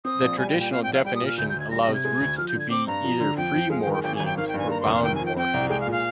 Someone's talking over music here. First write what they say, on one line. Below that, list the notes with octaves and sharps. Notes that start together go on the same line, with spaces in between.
The traditional definition allows roots to be either free morphemes or bound morphemes.
C4 D#6
A#1
G3 G#5
G5
A#2
G5
C4 F5
A#1 G5
F5
G3 G5
D#6
A#2
F6
D2 G6
D2 G6
G#6
G3 A#6
A#6
C3
G#6
G#3
D2
F3 F6
G6
D3 G#6
C4 D6
G2 A#5
F3
D3
F2 G5
F2
G#3 F5
G5
D#3
G5
G#1 G5
G#1 G#5
G5
D#3 F5
G5
G2 G#5
A#3 A#5
C6
F1
F5
D#3 G5
F2 G#5
G5
C4 G5
C2
G#3 G5
F5
A#2
F5